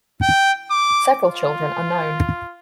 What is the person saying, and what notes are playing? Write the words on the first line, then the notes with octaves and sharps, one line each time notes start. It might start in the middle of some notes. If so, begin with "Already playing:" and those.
Several children are known.
G5
D6
F4